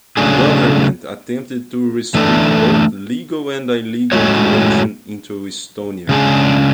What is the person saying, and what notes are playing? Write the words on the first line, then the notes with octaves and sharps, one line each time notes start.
The government attempted to restrict both legal and illegal migration into Estonia.
C#3 F#3 A3 D4 G#4
E3 A3 D4 A4
A2 G#3 C#4 F#4 C#5
C#3 G#3 D4 G#4